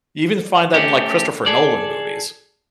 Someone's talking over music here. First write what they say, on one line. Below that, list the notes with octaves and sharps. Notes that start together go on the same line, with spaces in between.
You even find that in, like, Christopher Nolan movies,
A3 C#4 G4
G#4 A4 D5